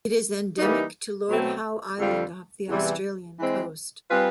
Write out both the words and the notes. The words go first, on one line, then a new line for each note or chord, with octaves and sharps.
It is endemic to Lord Howe Island off the Australian coast.
E3 G3 A#3 D#4
B2 F#3 A3 C4
F2 D3 G3 C4 F4
E2 C3 E3 G3
E3 G#3 C4
G3 C4 F4 G#4 B4